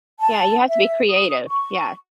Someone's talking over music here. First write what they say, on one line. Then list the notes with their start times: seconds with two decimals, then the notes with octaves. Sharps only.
Yeah, you have to be creative. Yes,
0.20 A5
0.68 E5
1.10 D#6
1.48 C#6